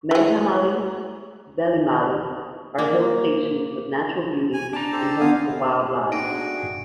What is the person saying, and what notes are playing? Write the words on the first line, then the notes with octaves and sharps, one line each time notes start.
Meghamalai, Vellimalai are hill stations with natural beauty and home for wild lives.
E3 G#4
A#3
G#5
D4 A5 A#5
G4 A4 C5
B3 F5 G#5 D#6
A3 B3 D4 D#4 F#4 G#4 G5 D7